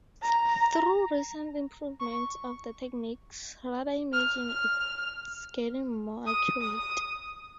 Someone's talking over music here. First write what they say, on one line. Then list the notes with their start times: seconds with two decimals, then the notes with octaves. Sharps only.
Through recent improvements of the techniques, radar imaging is getting more accurate.
0.23 A#5
2.00 C#6
4.13 F6
4.49 F6
6.27 D#6
6.61 D#6